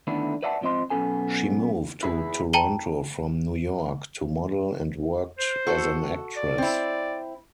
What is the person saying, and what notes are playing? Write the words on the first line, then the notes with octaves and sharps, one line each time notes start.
She moved to Toronto from New York to model and worked as an actress.
D3 D#3 A3 B3 D4 E4
B4 D5 E5 F#5 G5 A5
G#2 F3 C4 D#5 C6
B1 D#3 B3 C#4 A4 G#5
E4 G#4 B4
G5 A5 A#5 D#7 F#7 G7
C5
F#4 A4
D5
C4 E4